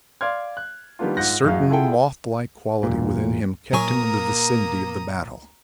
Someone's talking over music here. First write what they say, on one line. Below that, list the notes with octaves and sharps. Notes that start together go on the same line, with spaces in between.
A certain mothlike quality within him kept him in the vicinity of the battle.
D5 F5 C6 F6 G#6
F#6
D#3 G3 A#3 B3 D4 F4
G#2 F4 F#5 F#6 G6 A#6
A1 F#2 G#4 F5
E4 F4 G#4 A4 F#5 G5
E1 A#2
A#2 F#3 A#3 G#5 A#5 C#6 D#6